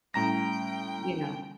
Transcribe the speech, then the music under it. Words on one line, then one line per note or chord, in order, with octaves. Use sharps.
you know,
A2 G3 C#4 G5 A#5 A#6